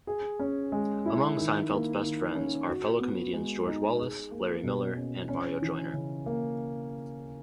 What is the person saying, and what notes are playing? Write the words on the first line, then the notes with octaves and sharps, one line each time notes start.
Among Seinfeld's best friends are fellow comedians George Wallace, Larry Miller, and Mario Joyner.
G#4
C#4
G#3
E4
D#3
A#3
D#3
C#4
F#4
B3
G#3
D#4
G#4
A#3
B2
C#4
C#4
E3
C#3
A#3